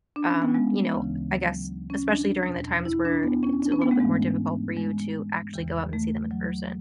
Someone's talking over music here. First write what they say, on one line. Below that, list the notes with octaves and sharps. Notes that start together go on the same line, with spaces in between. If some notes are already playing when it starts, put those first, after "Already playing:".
um, you know, uh, I guess, especially during the times where I it's a little bit more difficult for you to actually go out and see them in person.
D4
C#4
B3
G#3
D2 C#3 E3
F#3
C#4
D4
E2 B2
E4
D4
B3
C#4
D4
C#4
B3
A3
G#2 E3 G#3
G#3
E2 C#3 E3
A3
F#3